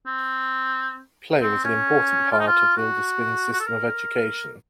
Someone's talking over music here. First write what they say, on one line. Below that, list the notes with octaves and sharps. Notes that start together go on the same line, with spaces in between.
Play was an important part of Wilderspin's system of education.
C4
C4
C#4
F4
D#4
F4
F#4
F#4
A4
A#4